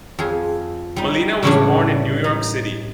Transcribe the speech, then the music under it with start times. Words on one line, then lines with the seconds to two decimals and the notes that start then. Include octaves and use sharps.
Malina was born in New York City.
0.19 F2 G#4
0.96 G3 D#4
1.43 A2 C#3 E3 G3 A3 D4
2.24 D#4